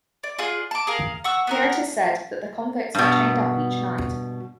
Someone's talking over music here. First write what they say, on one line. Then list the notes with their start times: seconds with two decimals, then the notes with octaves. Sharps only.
Here it is said that the convicts were chained up each night.
0.24 D5
0.39 F4 G#4 D5 F#6
0.71 A5 D6
0.87 G#4 A#4 F5
1.24 F#5 C#6 E6
1.47 B3 F#4 A#4
2.95 G2 B2